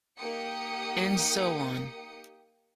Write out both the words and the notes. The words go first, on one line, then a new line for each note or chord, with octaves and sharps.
And so on.
A#3 D#4 G4 G5 D#6 C#7